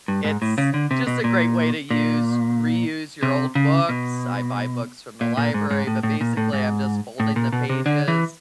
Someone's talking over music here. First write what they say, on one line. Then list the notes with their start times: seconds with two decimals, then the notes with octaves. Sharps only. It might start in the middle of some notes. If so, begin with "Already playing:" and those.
it's, just, a great way to use reuse your old books, I buy books from the library but basically I'm just folding the pages,
0.08 G2
0.25 G#2
0.42 A2
0.58 C#3
0.74 D3
0.91 C3
1.07 B2
1.24 A#2
1.90 A#2
3.23 C3
3.55 C#3
3.89 B2
5.21 A#2
5.37 A#2
5.54 G#2
5.71 G#2
5.87 A2
6.03 A2
6.21 A#2
6.37 A2
6.53 G#2
7.20 A2
7.36 A#2
7.52 B2
7.70 C3
7.86 D3
8.08 E3